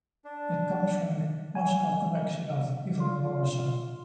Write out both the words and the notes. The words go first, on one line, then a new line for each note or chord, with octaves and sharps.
It comes from the Moscow collection of Ivan Morozov.
D4
G#5
F4